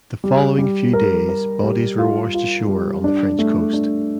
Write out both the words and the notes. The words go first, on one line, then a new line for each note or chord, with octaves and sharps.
The following few days bodies were washed ashore on the French coast.
G3
G3
A#4
A#4
G3
F4
F4
G3
D4
A3
D4